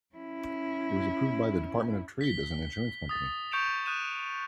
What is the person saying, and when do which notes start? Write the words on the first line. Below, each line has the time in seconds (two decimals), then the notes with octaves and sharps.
It was approved by the Department of Trade as an insurance company.
0.15 C#4 E4
2.21 B6 G7
3.09 D#6 A6
3.52 C#6 G6 C#7 D7 E7 F7
3.86 D#6 F#6 G6 D#7 E7